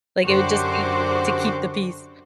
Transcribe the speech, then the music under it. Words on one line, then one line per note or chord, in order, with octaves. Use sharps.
Like it would just be to keep the peace.
F#2 D3 F#4 G4 C5 D6